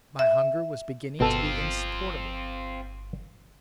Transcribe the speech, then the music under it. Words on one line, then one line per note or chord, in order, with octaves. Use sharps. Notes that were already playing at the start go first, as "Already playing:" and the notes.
My hunger was beginning to be insupportable.
E5
G1 B2 C4 F4 A4